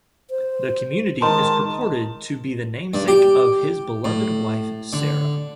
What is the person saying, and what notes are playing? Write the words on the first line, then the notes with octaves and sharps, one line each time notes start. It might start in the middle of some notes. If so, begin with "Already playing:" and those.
The community is purported to be the namesake of his beloved wife, Sara.
C5
D#3 G#3 A5 C6
G2
G4
A2
D3